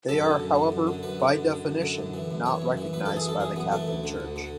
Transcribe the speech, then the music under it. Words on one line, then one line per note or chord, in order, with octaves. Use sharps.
They are however, by definition, not recognised by the Catholic Church.
F#2 A4
D3
F#2
D3
F#2
D3
F#2 B4
D3
F#2
D3
F#2
D3
F#2
E3
F#2
E3 C#5
F#2
E3
F#2 B4
A4
E3
G#4
F#2 A4
E3 G#4
F#2 B3
E3 A3
D2
D3
D2
D3